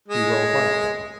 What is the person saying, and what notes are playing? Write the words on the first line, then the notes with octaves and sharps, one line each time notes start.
"He will fight, then?"
G#3